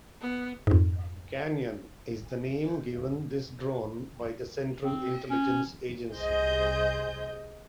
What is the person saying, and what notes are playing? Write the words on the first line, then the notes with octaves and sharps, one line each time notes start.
"Kanyon" is the name given this drone by the Central Intelligence Agency.
B3
F2 G#2
C4
C#4
C2 G#4 C5 D#5 G6